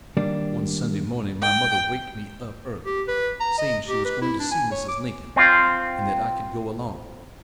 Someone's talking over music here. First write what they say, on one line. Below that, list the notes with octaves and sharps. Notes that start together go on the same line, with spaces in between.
One Sunday morning my mother waked me up early, saying she was going to see Mrs. Lincoln, and that I could go along.
D#3 G3 A#3 D4
G5
G4
B4
A#5
D#5
G4
B4
E4
D4
G#5
C#5
D6
C4 F4